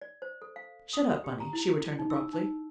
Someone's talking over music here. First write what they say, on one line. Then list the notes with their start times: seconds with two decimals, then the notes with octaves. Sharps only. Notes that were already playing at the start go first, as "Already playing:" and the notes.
"Shut up, Bunny," she returned, abruptly.
0.02 D5
0.22 C5
0.42 A4
0.56 F5
0.93 D#6
1.24 G4
1.40 A#5
1.53 E4
1.99 D#4
2.10 E6
2.33 D#4